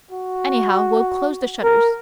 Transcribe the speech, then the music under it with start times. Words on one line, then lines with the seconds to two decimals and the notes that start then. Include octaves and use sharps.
Anyhow, we'll close the shutters.
0.11 F#4
1.63 A#4